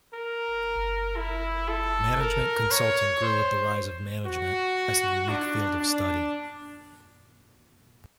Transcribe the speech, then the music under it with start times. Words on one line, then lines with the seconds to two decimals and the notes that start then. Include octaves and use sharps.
Management consulting grew with the rise of management, as a unique field of study.
0.14 A#4
1.17 E4
1.69 A4
2.20 A#4
2.71 C#5
3.23 C5
4.26 F#4
5.29 D4
5.81 D4